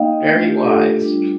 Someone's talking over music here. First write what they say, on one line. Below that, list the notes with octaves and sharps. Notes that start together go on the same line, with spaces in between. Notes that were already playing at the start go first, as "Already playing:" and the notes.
Very wise.
Already playing: A#3 D#4 D#5 F5 G5
D#5
A3 D4 F4
G4
A4
G3 D4 F4